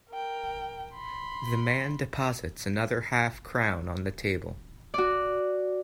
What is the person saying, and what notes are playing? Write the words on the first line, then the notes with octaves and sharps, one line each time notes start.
The man deposits another half-crown on the table.
A#4 G5
B5 C6
F#4 D5